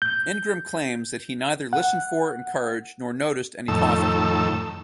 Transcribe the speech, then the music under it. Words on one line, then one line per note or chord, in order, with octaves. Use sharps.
Ingram claims that he neither "listened for, encouraged, nor noticed any coughing".
G6
F#5
F2 A2 D#3 A4 E6